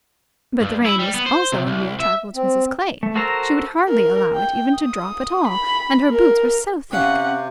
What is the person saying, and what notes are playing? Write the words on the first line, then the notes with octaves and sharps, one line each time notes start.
But the rain was also a mere trifle to Mrs Clay; she would hardly allow it even to drop at all, and her boots were so thick!
G2
E4
G3
B3
C5
C3
C2
E5
C4
A3
F#4 A4 A#4 C5 A#5
A#4
G5
D#6
B5
A#4
C3 C#4 G4 F5 F#5